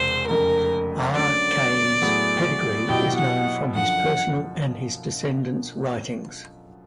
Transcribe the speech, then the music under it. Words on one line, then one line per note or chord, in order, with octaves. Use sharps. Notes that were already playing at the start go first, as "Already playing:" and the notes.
R. Khaim's pedigree is known from his personal and his descendants' writings.
Already playing: E1 E2 C3 C5
F1 F2 C#3 A#4
D2 D3 F#3 A#3 C#4 D5
A2 F#3 B3 E4 G#4
B2 F#3 B3 E4 G4 G5
F#5
F#2 D3 F3 F#5